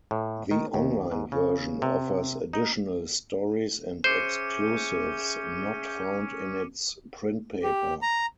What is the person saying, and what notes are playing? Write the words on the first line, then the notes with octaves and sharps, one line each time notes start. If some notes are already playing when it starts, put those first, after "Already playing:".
The online version offers additional stories and exclusives not found in its print paper.
A2
D#3
D#2
G#2
C#3
C3
D#4
C#4 G#4 C5 E5 D6 G6 C#7 D#7
G4
A#5